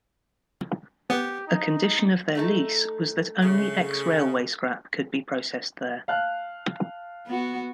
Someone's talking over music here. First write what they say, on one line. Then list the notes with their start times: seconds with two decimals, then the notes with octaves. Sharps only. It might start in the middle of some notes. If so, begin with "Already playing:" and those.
A condition of their lease was that only ex-railway scrap could be processed there.
1.10 B3 G4
1.47 D#4
2.35 A3 D#4 A4
3.42 C#3 A3
6.08 F5 A5 F#6
7.27 B3 F#4